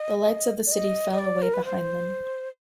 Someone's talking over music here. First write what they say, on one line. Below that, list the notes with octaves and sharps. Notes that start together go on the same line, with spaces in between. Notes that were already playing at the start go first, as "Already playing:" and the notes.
The lights of the city fell away behind them.
Already playing: D#5
D5
D#5
D#5
D5
A#4
B4
C5